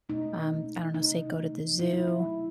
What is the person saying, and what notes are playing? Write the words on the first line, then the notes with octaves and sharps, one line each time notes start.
um, I don't know, say go to the zoo
B2 A3 D#4
B2 A3
C3 D#3 A3 D#4
C3 D#3 A3
B2 F#3 A3 E4
E4
E4
B2 F#3 A3